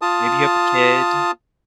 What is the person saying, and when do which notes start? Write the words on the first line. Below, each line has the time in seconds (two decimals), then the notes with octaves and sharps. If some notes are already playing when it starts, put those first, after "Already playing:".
maybe you have a kid,
0.02 F4 A5 D#6